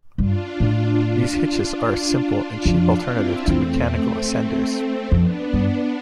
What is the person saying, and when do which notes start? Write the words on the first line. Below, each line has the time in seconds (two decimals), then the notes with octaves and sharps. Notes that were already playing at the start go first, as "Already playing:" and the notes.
These hitches are a simple and cheap alternative to mechanical ascenders.
0.18 G2 D4 F4
0.60 A2
1.01 D4 F4
1.42 D4 F4
1.83 D4 F4
2.65 F2 D4 F4
3.06 C4 E4
3.47 E2 A3 C4
5.12 F2 B3 D4
5.53 G2